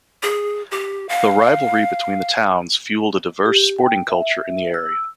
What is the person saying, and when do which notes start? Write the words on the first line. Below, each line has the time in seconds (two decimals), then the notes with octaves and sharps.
The rivalry between the towns fuelled a diverse sporting culture in the area.
0.23 G#4
0.71 G4
1.09 F5
3.46 G4
3.78 G5
4.09 E5
4.74 E6